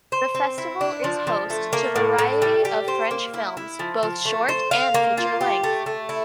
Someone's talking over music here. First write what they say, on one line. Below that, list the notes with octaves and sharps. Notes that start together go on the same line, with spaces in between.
The festival is host to a variety of French films, both short and feature-length.
C5
C4
E4
D4
F3
F3
A3
A#3
A2
A2
G3
G4
C5
A#3
E4
E4
F3
F3
A3
C5
F5
A#3
F4
G4
A3
A3
E4